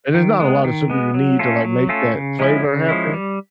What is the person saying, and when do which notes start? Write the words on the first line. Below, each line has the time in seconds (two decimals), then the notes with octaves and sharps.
and it's not a lot of sugar you need to like make that flavor happen,
0.14 D#3
0.40 G#3 B3
0.65 D#3
0.90 G#3 B3
1.14 F#3
1.39 A3 C#4 F4 A4
1.64 F#3
1.89 A3 C#4 F4 A4
2.14 C#3
2.39 F3 G#3 C#4 E4
2.64 C#3
2.89 F3 G#3 C#4 E4
3.13 G3